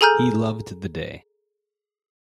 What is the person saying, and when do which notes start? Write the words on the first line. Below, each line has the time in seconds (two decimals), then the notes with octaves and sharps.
He loved the day.
0.01 G#4 A4 G#5 A#5 F6 G6